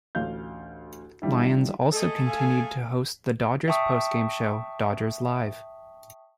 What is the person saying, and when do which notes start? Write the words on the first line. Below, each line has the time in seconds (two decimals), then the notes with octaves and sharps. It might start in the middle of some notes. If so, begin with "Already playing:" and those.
Lyons also continued to host the Dodgers' post-game show "Dodgers Live".
0.15 A1 D2 F5 G6
1.22 D#3 F3 G3 D4 E4
1.93 A3 G#4 A4 D#5
2.27 F5 G#5
3.68 E5 G5 A5 C#6 D#6